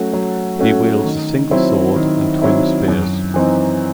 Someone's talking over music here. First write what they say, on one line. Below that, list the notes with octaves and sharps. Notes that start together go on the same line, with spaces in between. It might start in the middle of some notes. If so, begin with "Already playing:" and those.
He wields a single sword and twin spears.
Already playing: F#3 A3 C#4 F#4
F#3
A3 C#4 F#4
D#3
F#3 C4 E4
D#3
F#3 C4 E4
F#2
E3 C4 D#4